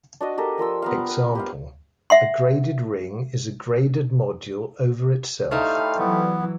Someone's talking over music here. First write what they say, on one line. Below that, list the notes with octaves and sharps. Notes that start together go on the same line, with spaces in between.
Example: a graded ring is a graded module over itself.
D4 F#4 D#5
G4 A4 A#4
F3 A#4 C6 E6
B3 A#4 F5
B4
G4 C5 F5
E5 F#5 C6
A2 F3 G3 A3 D#4 F5
E3 F#3 B3